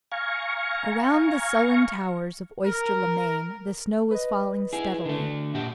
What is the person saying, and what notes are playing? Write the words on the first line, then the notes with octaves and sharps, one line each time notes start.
Around the sullen towers of Oyster-le-Main the snow was falling steadily.
F5 G#5 A#5 C#6
A#4
B4 D#5
E4 G#4
D3 A3
A#2 F#4 G4